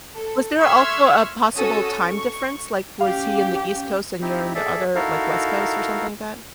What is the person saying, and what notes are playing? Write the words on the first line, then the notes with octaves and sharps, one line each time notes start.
Was there also a possible time difference? Like, was he in the East Coast and you're in the other, like, West Coast, or something like that?
A4
E5 C6 C#6 E6 F6 G#6
C#4 F#4 A4 D#6
C#6
C#4 G4 F5
C4 D#4 E4 G4
G#4 A4 D5 E5
D#4 E4 F#4 A4 A#4 F5